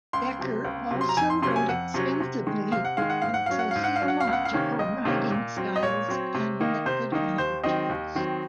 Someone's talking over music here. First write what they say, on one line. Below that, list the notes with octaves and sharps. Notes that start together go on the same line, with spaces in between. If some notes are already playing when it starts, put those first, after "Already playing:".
Becker also wrote extensively on sociological writing styles and methodologies.
C#2 C6
C3 F#3
C#2
C3 F#3
C6
A#5
F2 G#5
C6
C3 F#3 C#4 C6
G#5
F2 F#5
C3 F#3 C#4
C3
D#3 G#3
C3 F5
F#5
D#3 G#3 F5
F#5
G#2 F5
F#5
F#3 C#4 F5
F#5
G#2 F5
F#5
F5
F#3 C#4
F#5
F5
C#2
F#5
F5
C3 D#3 A#3 C#4
C#2 D#5
C3 D#3 A#3 C#4
A#2
F#3 C4
D#5
A#2 C#5
F#3 C4
C3
D#3 A#3 D#4
C3 C5
D#3 A#3 D#4
D#2 C5
D#3 F#3 C4 D#5
D#2
D#3 F#3 C4